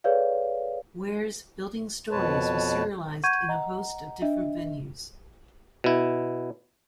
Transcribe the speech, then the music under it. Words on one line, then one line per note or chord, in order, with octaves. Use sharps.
Ware's "Building Stories" was serialized in a host of different venues.
G#4 A4 B4 C#5 D5 F5
F2 B2 B4 C#5 A5
F#5 C#6 G6 G#6 D#7
D#5 F#5 A#5
D4 D#5 E5
B2 E4